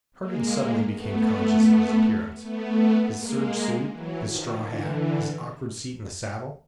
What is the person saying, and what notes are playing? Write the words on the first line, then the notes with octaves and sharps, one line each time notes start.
Cargan suddenly became conscious of his appearance--his serge suit, his straw hat, his awkward seat in the saddle.
G#3 A#3
A3 B3
A3 B3
G#3 A#3
E3 F#3
D#3 F3
D3 E3